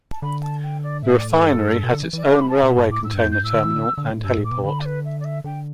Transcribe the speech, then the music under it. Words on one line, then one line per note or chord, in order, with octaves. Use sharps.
The refinery has its own railway container terminal and heliport.
A5
D3 B5
A5
G5
D5
A2 E5
D5
A4
G2
B2
D3
E3
E3 D5
E5
D6
B5
A5
G5
B2 E5
G2 A5
A2 D6
A2 E6
G2 G6
E2
G2 G6
A2 E6
D3
E3
D3
D3
A2
G2 E6
A2
D6
B2
D3 B5
D5
B4
E5
D5
E5
D3 G5